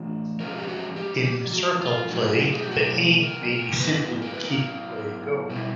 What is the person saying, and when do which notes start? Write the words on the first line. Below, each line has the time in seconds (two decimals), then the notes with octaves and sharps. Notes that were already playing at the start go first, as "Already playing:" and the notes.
In circle play, the aim may be simply to keep play going.
Already playing: E3 A3 D4 F4
0.40 F3 G#3 C#4 A#4
0.58 G4
0.68 F#4
0.96 G4
1.24 G4
1.53 F#4
1.81 F4
2.09 B2 F#3 A3 C4 E4 F#4
2.52 G#4
2.62 G4
2.71 F#4
2.81 G4
3.23 A#4
3.52 A#4
3.80 F#3 B3 E4 B4
4.22 A#4
4.34 B4
4.45 A#4
5.50 B2 G3 B3 E4